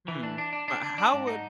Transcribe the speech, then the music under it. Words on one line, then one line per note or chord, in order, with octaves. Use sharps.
Hmm, but h how would
E3
D4
D4
D4
D4
D4
D4
G#2
D#4